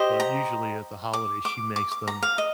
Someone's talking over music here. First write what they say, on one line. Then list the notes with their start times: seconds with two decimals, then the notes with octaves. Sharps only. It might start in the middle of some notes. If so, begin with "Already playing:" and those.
but usually at the holidays she makes them,
Already playing: G4 C5 D#5
0.20 A#5
1.13 D6
1.45 D6
1.76 D6
1.92 D6
2.08 A#5
2.23 F5
2.38 D#5